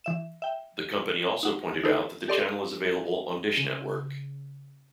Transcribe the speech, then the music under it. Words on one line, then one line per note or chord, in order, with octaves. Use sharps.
The company also pointed out that the channel is available on Dish Network.
E3 E5 E7
E5 G5
D#4 F#5
D#4 E4 A4 B4 C5
G4 A4 D5 D#5 C6
C#3